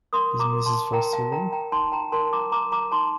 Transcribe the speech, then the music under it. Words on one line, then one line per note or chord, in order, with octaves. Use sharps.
Is Mrs. Foster in?
A#4 C6 D#6
A#5 D6
A#4
A5 C6
A#4 G5 A#5
F5 A5
A#4 G5 A#5
G5 A#5
D#4 A5 C6
G5 A#5
A#4 A5 C6
A#5 D6
A#4 A#5 D6
A#5 D6
D#4 A5 C6